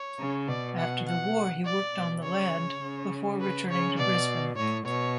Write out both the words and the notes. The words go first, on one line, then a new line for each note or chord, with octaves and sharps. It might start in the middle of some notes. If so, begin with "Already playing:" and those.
After the war he worked on the land before returning to Brisbane.
Already playing: C#5
C#3
B2 D5
F#5
F#5
D5
B2
C#3 C#5
C#3
B4
C#3 C#5
B2 D5
A2 C#5
B2 C#5